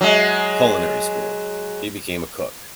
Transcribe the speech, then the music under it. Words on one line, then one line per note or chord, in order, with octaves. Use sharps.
culinary school. He became a cook.
F#3 G#3